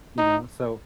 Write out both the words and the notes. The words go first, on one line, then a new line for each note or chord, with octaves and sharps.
You know? So
D#4